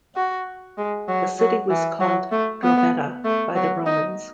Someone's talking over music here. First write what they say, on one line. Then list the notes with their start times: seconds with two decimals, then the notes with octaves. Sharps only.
The city was called "Drobeta" by the Romans.
0.16 F#4
0.78 G#3
1.08 F#3
1.39 F#3
1.70 E3
2.01 F#3
2.31 A3
2.63 B3
3.25 A3
3.55 F#3
3.86 D#4